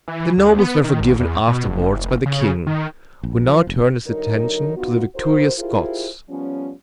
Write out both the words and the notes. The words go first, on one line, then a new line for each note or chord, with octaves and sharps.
The nobles were forgiven afterwards by the king, who now turned his attention to the victorious Scots.
E3
D2
B3
D#3
G#1
E2
B2
F#1
F1
C#3
D#3
A#1
F3
F1
D3 F#3 D#4 A#4
B3 D#4 F4 F#4
E4 F#4 A#4 C5
E4 F4 G4 G#4 A#4 C5
F3 G3 B3 C#4